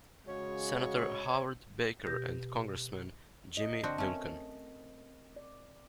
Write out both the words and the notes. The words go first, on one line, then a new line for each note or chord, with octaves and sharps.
Senator Howard Baker and Congressman Jimmy Duncan.
C#3 G#3 F#4 C#5
B2 G4 G6 A#6
D#5
D3 C4 F#4
A3 C4 C#4 A#4
D5